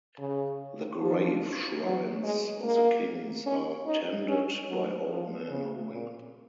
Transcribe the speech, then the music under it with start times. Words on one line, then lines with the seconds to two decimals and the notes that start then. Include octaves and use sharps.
The grave-shrines of the kings are tended by old men or women.
0.19 C#3
1.01 F3
1.83 F#3
2.23 G#3
2.63 A#3
3.46 C#4
3.86 D#4
4.28 C#4
4.69 F#3
5.09 F3
5.50 C#3
5.91 A#2